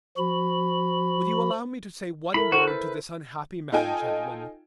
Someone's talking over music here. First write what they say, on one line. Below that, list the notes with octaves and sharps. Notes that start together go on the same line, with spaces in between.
Will you allow me to say one word to this unhappy man, gentlemen?
F3 F#4 B5
E4 A4 A#4 B5
F#4 A4 C5
B4
D#4 F4 A4 D#5 G5 G#5